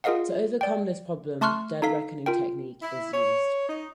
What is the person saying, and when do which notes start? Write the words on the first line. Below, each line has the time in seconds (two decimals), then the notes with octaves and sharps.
To overcome this problem, dead reckoning technique is used.
0.04 F4 G#4 A#4 D#5 F5 F#5
0.61 D5 G5
1.41 A3 A5 C6 C#6 F6 F#6
1.82 D#4 A4 F5 B6
2.26 F4 A#4 G5
2.82 E4
3.14 C#5
3.69 D#4